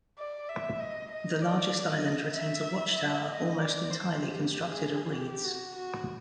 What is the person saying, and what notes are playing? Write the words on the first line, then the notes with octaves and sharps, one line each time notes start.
The largest island retains a watchtower almost entirely constructed of reeds.
D5
E5
D#5
D#5
D5
D#5
E5
D#5
D5
C5
G4
G#4
G4
F#4
F#4